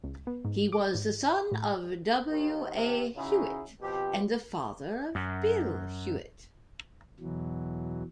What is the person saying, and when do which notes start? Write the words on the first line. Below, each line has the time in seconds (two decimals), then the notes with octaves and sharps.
He was the son of W. A. Hewitt, and the father of Bill Hewitt.
0.04 C#2
0.27 B3
0.45 G#2
0.72 D6
0.94 G#2
1.52 A2
2.30 D#2 D#3
2.74 D#2 C3
3.16 C#3 C#4 D#4 E4 F#4 G#4
3.81 B2 F3 C4 G4
5.15 F#2
7.20 E2 B2 E3 F#3